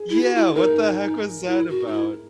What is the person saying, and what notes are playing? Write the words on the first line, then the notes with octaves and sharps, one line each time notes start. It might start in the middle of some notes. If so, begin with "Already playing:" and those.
Yeah! What the heck was that about?
Already playing: G#4
E4
F#4
E4
D#4 A#4
E4
F#4
D#4
E4